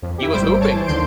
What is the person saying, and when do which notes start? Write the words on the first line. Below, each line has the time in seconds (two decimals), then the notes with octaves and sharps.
He was hooping.
0.02 F2
0.18 E4 G4
0.33 G#1 G3 C5 D7
0.60 C#5 A5 D7
0.74 E3 C5
0.86 D#2 D3 C6 G6 D7